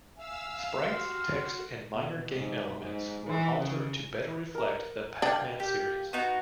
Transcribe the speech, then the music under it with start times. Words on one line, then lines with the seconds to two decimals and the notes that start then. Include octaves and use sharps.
Sprites, text, and minor game elements were altered to better reflect the Pac-Man series.
0.17 E5 F5 G#5 E6
0.90 F#4 G4 C6 F6
1.93 B2
2.36 G#2
2.81 G#2
3.27 E3
3.58 C#3
4.55 A#4 A#5
5.22 D4 F5 G5
5.60 G4
6.13 B3 D#4 F#4